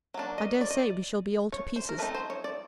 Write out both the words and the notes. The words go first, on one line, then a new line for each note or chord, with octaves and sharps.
I dare say, we shall be all to pieces.
F#3 A#3 D4
D#5
D5
D#5
D5
C#5
C5
A#4
F3 A3 C4 D#4 B4
C5
C#5
D5